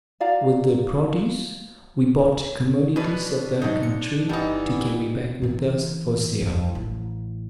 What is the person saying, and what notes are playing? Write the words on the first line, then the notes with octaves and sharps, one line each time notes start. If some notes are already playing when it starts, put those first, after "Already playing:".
With the produce we bought commodities of that country, to carry back with us for sale.
F#4 D5 F5 A#5
B2 E3 D4 B4
G#2 B2 F#3 D#4
A#2 C#7
G1 E3 G3 B3 D#4 E4
A#2 E3
F2
A1